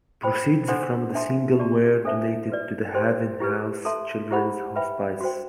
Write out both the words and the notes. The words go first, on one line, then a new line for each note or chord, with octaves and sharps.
Proceeds from the single were donated to the Haven House Children's Hospice.
C5 G5 B5
D4 A4 C5 F#5 C6
D4 A4 E5 A5 C6
G4 D5 A5 C6
D4 A4 C5 E5 A5
F#4 B4 D5
G4 C5 G5 C6
E4 G4 B4
A4 E5 A5 C6
E4 G4 C5 F#5 B5
B4 E5 G5 B5
F#4 C5 G5